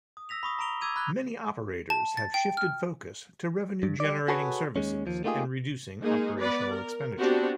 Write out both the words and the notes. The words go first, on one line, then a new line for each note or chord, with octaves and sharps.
Many operators have shifted focus to revenue generating services and reducing operational expenditure.
D#6
E6 A#6 B6 F7
B5 C#6 D#6
A#5 B5 A#6 D7 F7 G7
D6 E6 G#6 D#7 F7
B5 F#6 G#6 G7
A5
A6
G5
F6
G2
G3 D5
F#4 G#4 A4 B4 C#5
D#2 G#3 C#4
D#2 F3
A3 A#3 D#4 F4 G4 G#4
G#3 A#3 D#4 G#4
B3 B4 D5
A#4
B3 C4 D4 F#4 G4